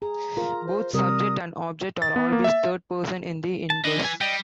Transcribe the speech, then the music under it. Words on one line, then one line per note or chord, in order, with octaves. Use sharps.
Both subject and object are always third-person in the inverse.
G#4 A#5
F4 A#4
C5
C3 G3 A#4 D#6
A6
B3
A#3
E5
A5
E3 D4 D#5
G#5
G3 D5 D#5 G5